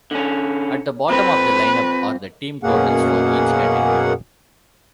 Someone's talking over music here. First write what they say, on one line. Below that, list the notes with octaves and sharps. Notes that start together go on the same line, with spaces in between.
At the bottom of the lineup are the team totals for each category.
D3 C#4
F3 C4 B4
F#2 B2 A#3 C#4 G#4 F#5